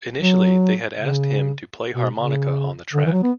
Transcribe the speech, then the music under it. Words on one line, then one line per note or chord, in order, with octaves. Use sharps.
Initially they had asked him to play harmonica on the track.
F#3
C#3
B2
C#3
D3
E3
F#3
B3